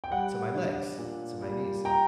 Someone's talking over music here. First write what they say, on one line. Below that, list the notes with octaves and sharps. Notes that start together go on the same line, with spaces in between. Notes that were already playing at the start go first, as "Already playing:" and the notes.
to my legs, to my knees.
G5
G3 F#5
D4
A#2
G3
G5 A#5